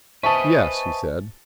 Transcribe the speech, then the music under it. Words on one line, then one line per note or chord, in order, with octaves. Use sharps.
"Yes," he said.
B4 C5 D#5 E5 G#5 A5 C#6